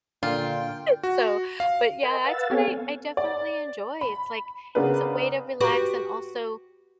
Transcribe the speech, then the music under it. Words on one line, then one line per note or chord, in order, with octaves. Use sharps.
so but, yeah, it's what I I definitely enjoy, it's, like, it's a way to relax and also
A#2 D3 F4 G5
F#4
F5
A#4 D#5 G#5 B5
B4 F5 F#5 E6 A6
B3 C4 A4 C#5 F5 G#5
D5
B5
C#3 B3 D4 G#4 A#4 B4
F#4 G4 B4